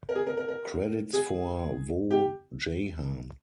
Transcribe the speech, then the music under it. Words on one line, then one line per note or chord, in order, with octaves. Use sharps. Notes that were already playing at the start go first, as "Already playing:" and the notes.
Credits for "Woh Jahan".
A#4
G#4
A#4
A#4
A#4
G#4
G4